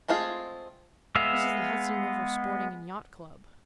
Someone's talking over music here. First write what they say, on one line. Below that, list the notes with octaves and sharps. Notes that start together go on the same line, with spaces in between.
"This is the Hudson River Sporting and Yacht Club."
G#3 A3 C4 F4 G#4
G#3 B3 E5 F5